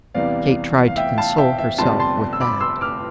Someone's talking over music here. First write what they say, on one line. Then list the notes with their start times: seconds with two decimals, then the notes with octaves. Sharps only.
Kate tried to console herself with that.
0.14 E2 C3 E3 G3 D5 F5
0.87 F5
0.96 E5 G5
1.17 F5 A5
1.38 E5 G5
1.59 E5
1.78 G1 F2 C3 G3 A5 C6
2.00 A5 C6
2.33 E6
2.40 B5 D6
2.60 C6 E6
2.81 D6 F6